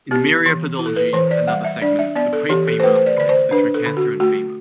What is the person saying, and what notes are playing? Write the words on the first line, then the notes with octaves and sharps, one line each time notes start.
In myriapodology another segment, the prefemur, connects the trochanter and femur.
B3 G4
E3
E4
A4
B4
E3 C5
D5
G3 F#5
E5
D4 D5
E5
B3 D5
A4
E3 G4
A4
C5
A3 B4
C5
D5
D3 D5
C5
D4 B4
A4
D3
F#4
A3 F#4